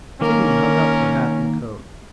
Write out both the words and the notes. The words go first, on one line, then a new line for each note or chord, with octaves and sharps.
Kitty hung up her hat and coat.
D#3 A#3 C#4 A#4